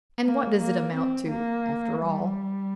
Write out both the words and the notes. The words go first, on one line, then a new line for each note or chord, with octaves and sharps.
And what does it amount to, after all?
A#3
A#3
C4
A#3
G3